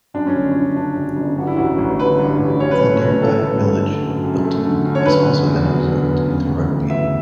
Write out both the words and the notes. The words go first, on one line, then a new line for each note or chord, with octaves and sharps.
The nearby village of Bilton has also been absorbed into Rugby.
F#2 D4
C#4
G1
G1 C#4
C#3 D4
F#2
G1
G2 F#4
E4
A1 F#4
A1
D3 B4
G2
A1
F#2 C#5
B4
A3 C#5
C#5
G1 B4
E3 A4
F#2 B4
B4
A3 A4
D3
F#2
F#2
A3
D3
F#2
C#5
D3 B4
B3
E2
F#3
D3
B3
C#3
D2
D2
E3 E5